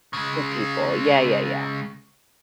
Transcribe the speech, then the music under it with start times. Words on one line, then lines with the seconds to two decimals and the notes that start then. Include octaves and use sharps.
The people. Yeah, yeah, yeah
0.13 C#3 G#3